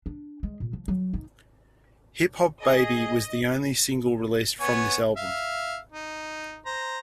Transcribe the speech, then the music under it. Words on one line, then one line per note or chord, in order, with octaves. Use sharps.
"Hip Hop Baby" was the only single released from this album.
D4
G#3
A#2
F3
F#3
D#4
G#4 D#5 D#6
B3 C#5 G#5
E5 F5
D#4
C5 A#5